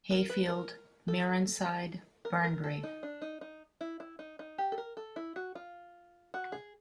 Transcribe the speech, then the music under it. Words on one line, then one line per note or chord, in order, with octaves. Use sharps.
Hayfield, Mearenside, Burnbrae.
A#4
B4
A#4
A4
A#4
A#4
A4
D#4
D4
D#4
D#4
E4
E4
D#4
D#4
G4
A4
A#4
A4
E4
F#4
F4
F#4
G#4